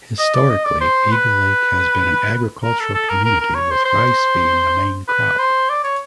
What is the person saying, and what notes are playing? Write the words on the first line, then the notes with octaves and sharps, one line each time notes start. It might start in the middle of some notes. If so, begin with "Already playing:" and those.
Historically, Eagle Lake has been an agricultural community, with rice being the main crop.
D#5
D5
D#5
D5
C5
B4
A#4
A4
A4
A#4
A#4
A#4
C#5
C5
C5
B4
C5
D5
C#5